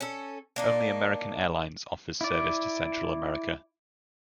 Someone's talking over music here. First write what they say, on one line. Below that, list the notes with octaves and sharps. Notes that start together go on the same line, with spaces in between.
Only American Airlines offers service to Central America.
C#4 A4
A#3 D4 D#4
E4 D5